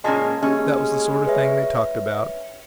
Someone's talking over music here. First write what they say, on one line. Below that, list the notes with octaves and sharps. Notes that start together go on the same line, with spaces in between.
That was the sort of thing they talked about.
A#2 G#3 A#3 C#4 A5
G#3 A#3 C#4 G4
B4 C#5 E5